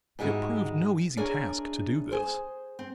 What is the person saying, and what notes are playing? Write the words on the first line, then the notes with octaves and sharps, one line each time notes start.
It proved no easy task to do this.
G#2 G3 G#3 D#4 E4 F#4
D4 E4 G#4 A#4 C#5 D5
G#4 C5
C4